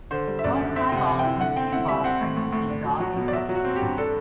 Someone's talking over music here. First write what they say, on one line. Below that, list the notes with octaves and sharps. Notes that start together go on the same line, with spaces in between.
Both "piebald" and "skewbald" are used in dog and goat breeding.
D3 C5
G3
E5
F#2 D5
D3
C4 E5
G5
C3 F#5
C3
G5
E4
D3 F#5
C4 G5
E4 F#5
G3 E5
C4 F#5
A2
A2
A2
D4
F#3
F#3
B2
D5
F#3 E5
F#3
F#4
C4
G4
G2
D4 A4